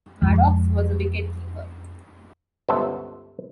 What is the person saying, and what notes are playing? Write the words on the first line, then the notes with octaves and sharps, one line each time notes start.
Maddocks was a wicket-keeper.
F2 F3 G#3
G1 C#2 B3 C5 E5 A5